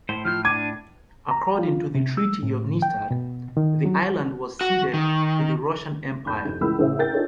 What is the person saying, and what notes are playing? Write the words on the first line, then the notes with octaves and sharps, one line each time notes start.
According to the Treaty of Nystad, the island was ceded to the Russian Empire.
A2 C5
F3 F4 F6 G6
D4 D6 G#6 D#7
A#5
F4
C3
E6
A2
G5
B2
D#3
F#3
F#4
D#3
F1 B5 G6
F1
C#2 E3 A#4 B5 E6
A1 C#3 G#4 C5 E5
A#4 G5 G6 A6
D4 D#4 F4 G#4 A4 C#5